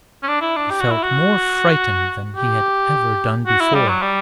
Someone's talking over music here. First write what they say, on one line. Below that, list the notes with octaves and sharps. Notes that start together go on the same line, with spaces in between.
He felt more frightened than he had ever done before.
C#4
D4
E4
D4
G4
F#4
E4
F#4
G4
F#4
E4
G3
F#3
G3